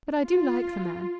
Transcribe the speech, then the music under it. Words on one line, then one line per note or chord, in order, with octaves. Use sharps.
But I do like the man.
F4